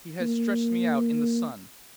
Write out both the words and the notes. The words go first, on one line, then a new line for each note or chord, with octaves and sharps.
He has stretched me out in the sun.
A#3